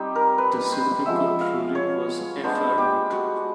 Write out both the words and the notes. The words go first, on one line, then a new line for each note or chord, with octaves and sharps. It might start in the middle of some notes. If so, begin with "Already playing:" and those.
The Supreme Court ruling was affirmed.
Already playing: G3 C4 D#4 G4
A#4
B4
C5
F3 G#3 B3 E5
F5
C#5
G#3 B3 D4 C5
G4
F#4